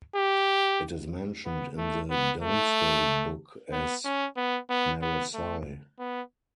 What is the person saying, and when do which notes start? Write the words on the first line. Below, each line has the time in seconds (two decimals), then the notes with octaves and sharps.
It is mentioned in the Domesday Book as "Meresai".
0.16 G4
1.46 B3
1.78 A3
2.10 B3
2.43 A3
3.72 B3
4.05 C#4
4.37 B3
4.69 B3
5.02 B3
5.34 A3
5.99 B3